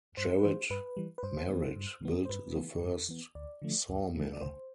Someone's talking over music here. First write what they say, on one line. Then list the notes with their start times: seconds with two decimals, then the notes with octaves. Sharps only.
Jared Merritt built the first sawmill.
0.17 G2 C5
0.39 B4
0.44 E3 G3 C5
0.70 G2 B4
0.97 E3 G3
1.18 B4
1.23 G2 C5
1.50 E3 B3
1.76 G2
2.03 E3 B3
2.25 C5
2.29 G2 B4
2.56 E3 B3
2.83 G2
3.09 E3 B3
3.35 D2 D5
3.62 D3 F3 A3
3.88 D2
4.15 D3 F3 A3
4.33 D5
4.41 D2 C5